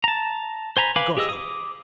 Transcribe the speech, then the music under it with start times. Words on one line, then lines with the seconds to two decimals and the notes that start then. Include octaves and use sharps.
Got him!
0.04 A5 A#5
0.77 C5 G#5 A#5 B5
0.96 B4 F5 G#5 B5 D6
1.17 G4 G#4 D#5 E6
1.29 D6 D#6